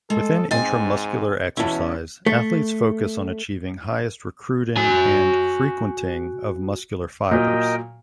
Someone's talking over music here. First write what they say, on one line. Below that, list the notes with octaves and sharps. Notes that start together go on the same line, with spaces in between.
Within intramuscular exercise athletes focus on achieving highest recruiting and frequenting of muscular fibres.
G#3 A4
G#2 C4 D#5 G#5 A6
E2 B2 C#4 E4 A5
A3
F#4 G#5
A#2 F#3 A#4 D#5 G5